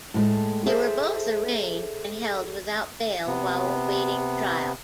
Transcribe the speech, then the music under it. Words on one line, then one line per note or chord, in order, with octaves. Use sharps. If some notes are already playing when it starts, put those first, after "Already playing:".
They were both arraigned and held without bail while awaiting trial.
A2 G#3 A3
G#4 A4 C5 E5
C3 B3